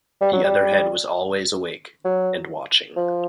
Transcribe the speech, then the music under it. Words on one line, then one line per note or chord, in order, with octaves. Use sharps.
The other head was always awake — and watching.
G3
F#3
G3
F#3
F3